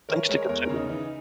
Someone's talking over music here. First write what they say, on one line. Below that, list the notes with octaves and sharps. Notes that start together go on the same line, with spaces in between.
things to consider.
E3 A#4 C#5
G#3 A#4 C#5
E2 A#4 C#5
A#4 C#5
C#3
D#4
E3 D#4